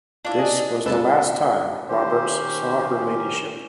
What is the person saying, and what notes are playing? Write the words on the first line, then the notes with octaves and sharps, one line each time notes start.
This was the last time Roberts saw her Ladyship.
D4 E4 F4 D5
D#5 G#5
C3 G#3 A4 B4 A5
D#3 C#4 G4 C5